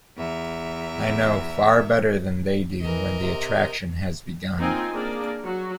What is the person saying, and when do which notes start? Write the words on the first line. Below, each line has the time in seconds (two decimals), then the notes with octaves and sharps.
I know, far better than they do, when the attraction has begun.
0.16 E2 E5 A#5
2.81 E3 A#4 D#5
3.20 C3
4.59 A#3 C4 D#4 F4 G#5
4.92 A#3 D4 G#4 A#4 D5
5.45 F#3 F#4